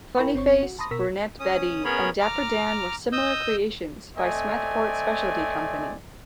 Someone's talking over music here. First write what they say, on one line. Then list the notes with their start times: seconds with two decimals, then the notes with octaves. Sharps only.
Funny Face, Brunette Betty, and Dapper Dan were similar creations by Smethport Specialty Company.
0.17 E4 A#4 G5 G#5 B5 C#6
0.34 G1 C4 C#5 C#6
0.63 F#4
0.79 A5 B5 C6 D#6 A#6
0.91 B2 A#4 C#6 E6 B6
1.40 C#4 D#6
1.84 B3 C#4 G#4 A#4 C#5 B5
2.20 A#5 D6 F6
3.12 D#5 D#6 E6 G6
4.18 A3 C4 D5 D#5 G#5